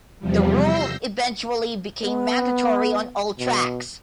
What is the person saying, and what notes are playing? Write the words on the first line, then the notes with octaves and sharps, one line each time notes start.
The rule eventually became mandatory on all tracks.
E2 C3 F3 G3
E6 G6 A#6 C7
B3
B2